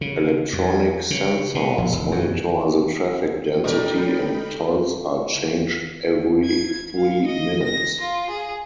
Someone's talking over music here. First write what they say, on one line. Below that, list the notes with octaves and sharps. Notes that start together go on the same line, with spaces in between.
Electronic sensors monitor the traffic density and tolls are changed every three minutes.
C#3
F2
C#3
B2
A#1
E1
F#2
B2 G3 C#4 D#4 A4 A#4 G5 B5
G#6
F5
D#5
A#6
F4
G#4